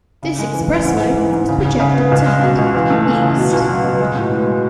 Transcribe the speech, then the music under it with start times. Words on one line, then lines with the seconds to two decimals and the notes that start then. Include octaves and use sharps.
This expressway is projected to head east.
0.23 C#3
0.38 G#3
0.53 E3
0.69 E3
0.85 G#2
1.00 E3
1.16 E3
1.33 G#2
1.49 C#3
1.64 C#3
1.80 C#3
1.95 B3
2.11 C#2
2.27 G#3
2.42 B2
2.58 C#2
2.75 E3
2.90 A3
3.06 E3
3.22 C#3
3.37 B2
3.53 C#2
3.69 F#3
3.84 B2
4.00 G#3
4.15 A2
4.31 A2
4.47 G#3